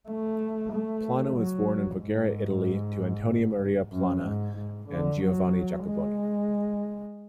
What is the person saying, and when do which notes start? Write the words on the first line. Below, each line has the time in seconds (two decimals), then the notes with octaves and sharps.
Plana was born in Voghera, Italy to Antonio Maria Plana and Giovanna Giacoboni.
0.09 A3
0.72 A3
1.37 F#3
2.00 G#2
3.93 F#2
4.25 G#2
4.57 G#2
4.88 D3
5.22 F#3
5.85 G#3